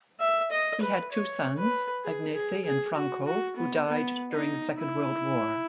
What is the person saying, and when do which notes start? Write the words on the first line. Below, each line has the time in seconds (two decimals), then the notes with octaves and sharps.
He had two sons, Agnese and Franco, who died during the second world war.
0.20 E5
0.52 D#5
0.81 B4
1.12 C#5
1.58 B4
2.04 G#4
2.34 G#4
2.65 G#4
2.95 F#4
3.26 F#4
3.56 B3
3.87 B3
4.32 D#4
4.78 E4